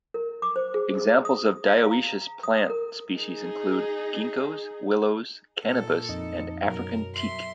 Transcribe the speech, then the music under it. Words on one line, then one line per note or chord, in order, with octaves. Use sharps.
Examples of dioecious plant species include ginkgos, willows, cannabis and African teak.
A#4
D6
C5
G#4
D#6
F5
A#5
D#6
A#4
D#4 G#4
A#2 A4
F2 D#4 D#5
F#2 B2 F#3 A#4
E5 C6